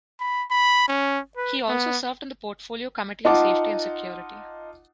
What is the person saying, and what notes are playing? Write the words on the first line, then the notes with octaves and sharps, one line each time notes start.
He also served on the Portfolio Committee on Safety and Security.
B5
B5
C#4
B4
B3
D#4 F4 F#5 A5 D6